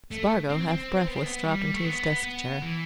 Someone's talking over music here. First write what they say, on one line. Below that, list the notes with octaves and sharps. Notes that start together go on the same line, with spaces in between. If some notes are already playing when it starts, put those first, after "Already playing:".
Spargo, half-breathless, dropped into his desk-chair.
A3
C4
C4
B3
C4
B3
G3
A3
B3
B3
E3